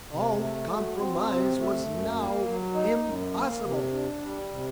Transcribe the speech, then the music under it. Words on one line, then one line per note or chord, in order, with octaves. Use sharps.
All compromise was now impossible!
C3
A3
F#3
C4
C3
A3
F#2
A#3
F#3
D#4
F#2
A#3
C3
D4
G3
C3